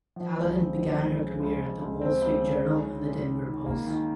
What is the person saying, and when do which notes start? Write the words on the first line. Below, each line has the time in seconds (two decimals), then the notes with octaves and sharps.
Callahan began her career at the Wall Street Journal and the Denver Post.
0.16 F3
0.38 C#2
0.58 C4
0.78 F3
0.98 C#2
1.20 C#3
1.40 C#2
1.61 C#2
1.82 C#2
2.01 C4
2.21 C#2
2.43 C#3
2.63 D#3
2.83 C#4
3.04 C#4
3.24 D#3
3.46 D#3
3.66 A#3
3.87 D#3